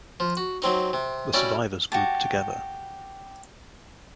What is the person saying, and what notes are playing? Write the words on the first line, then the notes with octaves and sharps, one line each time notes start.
The survivors grouped together.
F3
F#4
F#3 C4 D#4
C3
G3 C#4 E4 F#4 D5
F#4 G4 A5